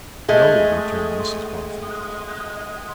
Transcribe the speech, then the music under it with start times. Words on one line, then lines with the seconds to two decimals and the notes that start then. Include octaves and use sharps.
'No,' returned Mrs Boffin.
0.29 G#3 A3